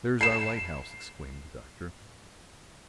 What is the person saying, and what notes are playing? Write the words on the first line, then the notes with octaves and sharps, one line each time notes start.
"There's our lighthouse!" exclaimed the Doctor.
C7 E7